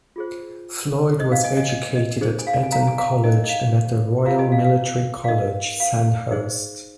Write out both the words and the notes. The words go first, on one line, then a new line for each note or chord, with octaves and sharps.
Floyd was educated at Eton College and at the Royal Military College, Sandhurst.
F4 G#4 C5
D#4 C5 D#5
F5
D#5 G#5
D#5 G#5
D#5
D#5
D#4 G#4 C5
G#5
F5
G#5
F5 A#5
G#5
F5 A#5
D#4 A#4 D#5 G#5
D#5
F5
F4 A#4 F5 A#5
D#5 G#5
F5
F5
F5
D#4 A#4 D#5
F5
D#4 G#4 C5